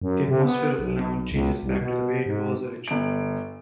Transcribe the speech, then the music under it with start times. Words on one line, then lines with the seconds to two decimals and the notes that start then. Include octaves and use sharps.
The atmosphere of the lounge changes back to the way it was originally.
0.02 F#2
0.29 C3
0.45 B3
0.79 B1
1.32 C#2
1.63 C2
1.81 B2
2.26 G#2
2.88 G1 D7